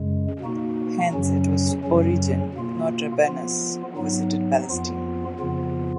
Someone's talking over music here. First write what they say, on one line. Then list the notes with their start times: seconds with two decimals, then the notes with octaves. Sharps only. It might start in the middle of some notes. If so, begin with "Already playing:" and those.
Hence, it was Origen, not Rabanus, who visited Palestine.
Already playing: F#2 C#3 G#3
0.41 B2 A#3 D#4 F#4
1.12 F#2 C#3 F#3 C#4
1.84 F#2 C#3 F#3 C#4
2.54 B2 A#3 F4
3.26 F3 B3 F4
3.96 G#2 F#3 B3 D#4
4.68 F2 F3 B3 F4
5.39 F2 C#3 F3 B3 F4